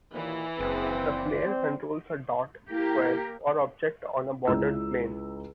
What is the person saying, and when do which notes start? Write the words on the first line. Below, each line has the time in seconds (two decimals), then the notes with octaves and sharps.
The player controls a dot, square, or object on a bordered plane.
0.13 D#2 A#2 E3
0.59 F#1 C4 G#4 B4
1.08 C5 D5
1.45 C4
2.70 A#3 E4 G4 A#4
4.47 C#2 E4 A#5 E6